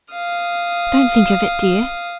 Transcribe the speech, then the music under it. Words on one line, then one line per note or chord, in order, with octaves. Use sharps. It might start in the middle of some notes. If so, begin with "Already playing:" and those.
'Don't think of it, dear.
F5 D#6